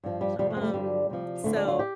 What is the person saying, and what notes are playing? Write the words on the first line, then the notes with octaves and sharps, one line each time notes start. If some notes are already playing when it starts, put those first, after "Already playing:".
Um, so,
G2 F3
G3
F2 C3 F3 G3
A3
C4
A3
G2 D3 F3 G3
D2 C3 F3
D2 D3 F3 A3
D4
F4
G4